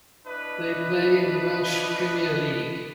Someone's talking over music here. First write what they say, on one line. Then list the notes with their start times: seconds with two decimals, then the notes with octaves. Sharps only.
They play in the Welsh Premier League.
0.26 D4 E4 B4 D#5